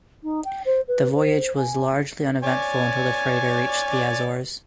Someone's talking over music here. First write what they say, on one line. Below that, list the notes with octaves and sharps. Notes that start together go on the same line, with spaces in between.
The voyage was largely uneventful until the freighter reached the Azores.
D#4
G5
C5
B4
C5
G#5
C#5 D5 G#5